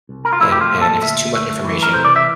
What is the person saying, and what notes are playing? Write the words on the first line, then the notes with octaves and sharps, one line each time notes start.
And and if it's too much information,
C2
A#4
F4
A3 E4
G4
F4
A#2
A4
D2 E5
A3
E3
A#4
C3 C5
D5
E5